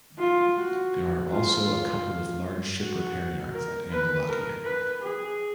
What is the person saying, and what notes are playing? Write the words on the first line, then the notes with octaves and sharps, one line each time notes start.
There are also a couple of large ship repair yards at Ambelakia.
F4
F#4
F4
F#4
A#4
B4
A#4
B4
G#4